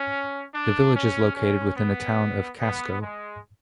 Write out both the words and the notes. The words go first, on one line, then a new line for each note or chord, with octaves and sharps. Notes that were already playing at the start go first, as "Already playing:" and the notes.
The village is located within the Town of Casco.
Already playing: C#4
D4
C#4
C#4
B3
B3
G#3